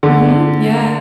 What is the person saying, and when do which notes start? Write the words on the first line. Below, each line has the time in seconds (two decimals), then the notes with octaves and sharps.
Mhm, yeah.
0.03 D3